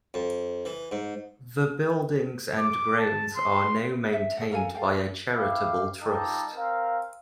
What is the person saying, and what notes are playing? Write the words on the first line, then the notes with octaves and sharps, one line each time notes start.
The buildings and grounds are now maintained by a charitable trust.
F2
E3
G#2
D6
A5
C6
E5
A4 F#5
A4 A#4 F5 G#5
A4 F5 G5
E4 G4 F5
G3 D#4 F4 G4 A4
C4 A#4 F5